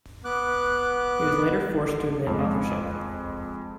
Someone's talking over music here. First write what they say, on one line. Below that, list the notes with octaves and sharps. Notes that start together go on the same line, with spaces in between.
He was later forced to admit authorship.
B3 D6 F#6
F2 G#3